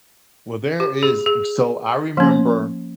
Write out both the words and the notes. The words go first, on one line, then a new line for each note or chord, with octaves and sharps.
Well, there is so I remember
G4
G#4
G#4
F3 A#3 C#4